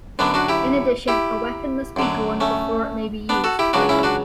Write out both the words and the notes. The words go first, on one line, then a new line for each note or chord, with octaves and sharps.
In addition, a weapon must be drawn before it may be used.
F#2 D3 F#3 B3 D4
D4 F#4
E4 G4
E4 G4
F#2 D3 F#3
A3 C#4
B3 D4
F#4 A4
E4 G4
C#2 C#3 F#3 D4 F#4
C#4 E4
D4 F#4